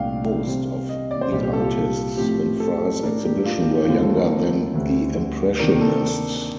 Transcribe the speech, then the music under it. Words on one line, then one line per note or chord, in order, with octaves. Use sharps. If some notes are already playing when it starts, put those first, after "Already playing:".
Most of the artists in Fry's exhibition were younger than the Impressionists.
Already playing: C2 A#2 A3 D4 F5 G5
C3 G3 C4
D#5
D5
C5
C2 A#2 G3 G4
G4
A4
F4
G4
A2 F3 A3 C4 G4
A4
A2 A3 D4 A#4
G4
F4
G4
G4
D#2 D3 A3 C4 F4
A4
A#4
D2 D3 G3
C3 D#3 A#3 D4 A#4
A4